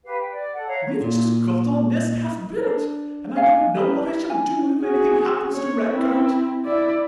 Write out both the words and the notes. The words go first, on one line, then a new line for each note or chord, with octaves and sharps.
We've just got our nest half built, and I don't know what I shall do if anything happens to Redcoat.
G4 B4 F5
G5
D5
A4 F#5
C#5 E5 F5 A#5
A#2
D4
D#5 F5 G#5
E4 G4 A#4 B4
G#5
F#4 G#4
C#5
C4 E4
E4 D5